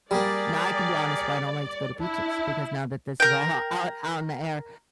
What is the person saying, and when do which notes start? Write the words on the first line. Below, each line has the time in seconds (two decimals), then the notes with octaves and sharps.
Now, I can be honest but I don't like to go to beaches, because now that this is all o out out in the air,
0.11 G3 A#3 G4 G#4 A#4 D5
2.00 D4 E4
3.20 A#4 G5